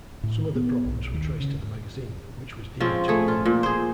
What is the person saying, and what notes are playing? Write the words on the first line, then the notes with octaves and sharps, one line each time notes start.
Some of the problems were traced to the magazine, which was deemed too long.
A2
B3
B1
D#2
C#3
F3 G#3 C4 C#4
A3 G#4
F4
A#2
G#4 C5